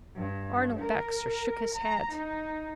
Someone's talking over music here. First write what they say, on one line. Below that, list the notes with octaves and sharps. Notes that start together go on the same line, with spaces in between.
Arnold Baxter shook his head.
G2
A#4
A#5
D#4